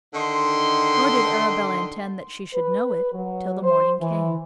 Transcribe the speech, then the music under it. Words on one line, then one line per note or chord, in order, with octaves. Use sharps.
Nor did Arabella intend that she should know it till the morning came.
D3 D#3 D#4 C6
B4
F#3
C5
E3